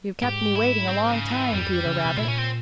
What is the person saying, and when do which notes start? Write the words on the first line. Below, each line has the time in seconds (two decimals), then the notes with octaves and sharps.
You've kept me waiting a long time, Peter Rabbit.
0.23 G#2 G4
0.55 E4
0.88 C4
1.08 C#3
1.31 E3
1.52 F2 G3
1.85 C#3
2.05 C3
2.17 A#2 E4
2.28 C#4
2.38 C4